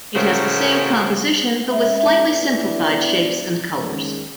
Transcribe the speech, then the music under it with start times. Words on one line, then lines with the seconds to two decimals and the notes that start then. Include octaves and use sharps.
It has the same composition but with slightly simplified shapes and colors.
0.16 F#2 A2 C#3 F#4 A#4 C5
1.72 G#3 C#4 E5
2.28 B3 D4 E4
3.75 F#2 D#3 G#3 C#4